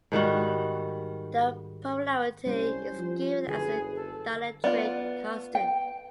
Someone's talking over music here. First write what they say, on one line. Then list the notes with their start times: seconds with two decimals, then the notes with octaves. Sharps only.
The polarity is given as the dielectric constant.
0.12 G#2 D#3 G3 F#4
2.47 C2 G3 C#4 C5
2.98 F3
3.48 F#1 D3 G#4 B4
3.96 A4
4.64 B3 F4 D5
5.55 G5